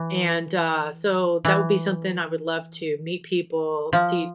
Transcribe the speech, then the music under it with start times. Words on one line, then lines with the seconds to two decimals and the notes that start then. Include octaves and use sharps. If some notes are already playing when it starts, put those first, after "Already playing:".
and, uh, so that would be something I would love to meet people, to
Already playing: E3
1.45 E3
3.93 F3